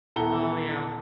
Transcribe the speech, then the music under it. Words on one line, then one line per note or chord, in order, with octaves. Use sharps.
Oh, yeah.
D#1 B3 E4 A4 A#5 G7